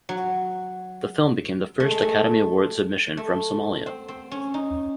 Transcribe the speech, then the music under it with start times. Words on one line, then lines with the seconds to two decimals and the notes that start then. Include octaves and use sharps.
The film became the first Academy Award submission from Somalia.
0.09 F#3
1.80 A3
1.91 G#3
2.02 A3
3.17 A3
3.86 C4
4.08 C4
4.31 C#4
4.54 D#4